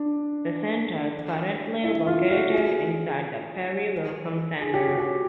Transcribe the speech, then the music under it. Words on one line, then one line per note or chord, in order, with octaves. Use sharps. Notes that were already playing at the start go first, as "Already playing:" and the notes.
The center is currently located inside the Perry Welcome Center.
Already playing: D4
E4
F4
F#4
G#4
G#4
G4
F#4
G4